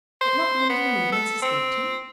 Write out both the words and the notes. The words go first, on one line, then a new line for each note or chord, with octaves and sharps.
"That not one of your movements escaped him?"
C5
B3
A4
C4